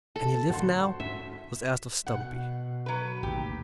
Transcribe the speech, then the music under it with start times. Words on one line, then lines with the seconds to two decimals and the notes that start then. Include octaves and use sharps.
"Can he live now?" was asked of Stumpy.
0.16 A4
0.50 A2 D3 F#4 C5
1.00 G#2 C#4 E5
2.06 B2 F#5
2.86 F#3 B4
3.23 A1 D#2 G4